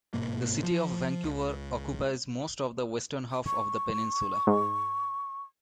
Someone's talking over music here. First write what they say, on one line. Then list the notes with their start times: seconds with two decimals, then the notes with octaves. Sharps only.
The City of Vancouver occupies most of the western half of the peninsula.
0.14 G1 G#2 B2 A#3
0.63 F3
1.24 C#2
3.47 C#6
4.47 G#2